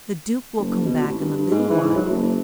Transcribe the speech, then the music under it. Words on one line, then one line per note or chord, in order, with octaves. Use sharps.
The duke will come back in a little while.
F#1
B2
A1
G2
G#2
E3
G#2
F#3
F#1